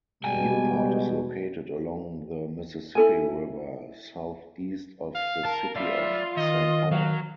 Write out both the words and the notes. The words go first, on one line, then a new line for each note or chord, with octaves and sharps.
Newport is located along the Mississippi River, southeast of the city of Saint Paul.
B2 G3 G#3 G5 G#5
E4 A4 G#5
F5
A#4 A5
F4 D5 E5 B5
D#3 D#5
F#3 F5